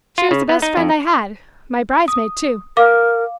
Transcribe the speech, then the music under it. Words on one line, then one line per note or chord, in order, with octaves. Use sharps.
She was the best friend I had,--my bridesmaid, too.
F4
C#3
B3
D#4
F2
D#6
A#4 F5 D6